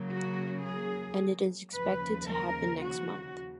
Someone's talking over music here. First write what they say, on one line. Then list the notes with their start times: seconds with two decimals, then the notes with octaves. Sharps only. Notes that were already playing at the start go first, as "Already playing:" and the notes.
And it is expected to happen next month.
Already playing: C#3 F#3 A#3
0.10 F#4
0.65 G#4
1.73 D#2 C#3 F3 B4
2.27 A#4
2.82 F#4